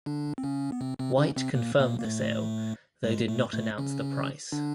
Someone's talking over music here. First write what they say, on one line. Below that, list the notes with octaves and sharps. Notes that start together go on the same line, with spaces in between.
White confirmed the sale though did not announce the price.
D3 D4
C4
C#3 C#4
B3
C3 C4
C3 C4
C#3 C#4
C3 C4
A#2 A#3
A#2 A#3
A#3
A2 A3
G#2 G#3
A2 A3
A2 A3
C#3 C#4
D3 D4